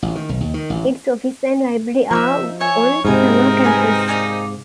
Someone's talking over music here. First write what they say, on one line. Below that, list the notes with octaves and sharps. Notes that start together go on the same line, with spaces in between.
Its office and library are on Tama Campus.
A1
D#3
B1
D#2
D#3
A1
F3 D#4 A#4 E5 C#6
C#5 E5 G#5
G#2 C3 C4 D#4 A#4 G#5 B5
B4 F#5 G#5
G#4 D5 F5